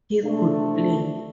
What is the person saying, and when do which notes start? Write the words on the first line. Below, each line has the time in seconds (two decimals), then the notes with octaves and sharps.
He could play.
0.23 C3 A3 D4